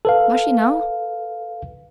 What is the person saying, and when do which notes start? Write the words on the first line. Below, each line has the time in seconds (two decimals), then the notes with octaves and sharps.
"Must she know?"
0.05 A4 B4 F5